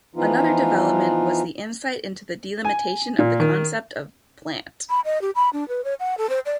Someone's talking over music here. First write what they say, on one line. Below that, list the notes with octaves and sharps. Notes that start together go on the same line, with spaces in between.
Another development was the insight into the delimitation of the concept of 'plant'.
E3 F3 B3 D#4 F4
G#5
A#2
D#3
B5
D#5
G4
B5
D4
B4
C#5
F#5
A4
C5
D5